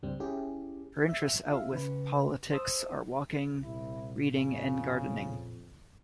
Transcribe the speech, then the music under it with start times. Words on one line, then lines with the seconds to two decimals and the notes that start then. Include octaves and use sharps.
Her interests outwith politics are walking, reading and gardening.
0.03 C#2 G2 G3 C4
0.20 C#4 E4 G4 G#4
1.09 E5
1.48 F4 E5 F5
1.73 C#3 B4
2.52 C5 A5 D#6 E6
3.63 C2 A#2 E4
4.33 F2 C#3